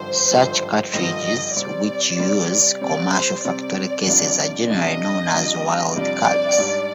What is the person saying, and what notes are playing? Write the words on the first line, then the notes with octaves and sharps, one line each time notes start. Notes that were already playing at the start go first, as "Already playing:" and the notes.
Such cartridges which use commercial factory cases are generally known as wildcats.
Already playing: G#1 G2 D3 F3 C5
G#1 G2 D3 F3
G#1 G2 D3 F3 D#5
D#5
C3 G3 C4 D5
C3 G3 C4
C3 G3 C4 D5
C5
C3 G3 C4 D5
F2 C3 G3 D4 F4
F2 C3 G3 D4 F4 D#5
F2 C3 G3 D4 F4
F2 C3 G3 D4 F4 D5
G#2 G3 D4 G4